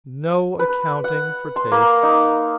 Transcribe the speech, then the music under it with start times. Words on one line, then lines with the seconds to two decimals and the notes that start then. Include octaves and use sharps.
No accounting for tastes!
0.59 B4
1.04 F#5
1.56 C6
1.72 A#3
2.03 D#4